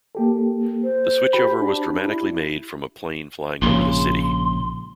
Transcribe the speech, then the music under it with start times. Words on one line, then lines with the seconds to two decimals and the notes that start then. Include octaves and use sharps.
The switchover was dramatically made from a plane flying over the city.
0.15 A#3 G4 A4
0.84 C5
1.33 F#4 G4 B5
1.60 D4
2.05 E4
3.62 A#1 G#2 C#3 C6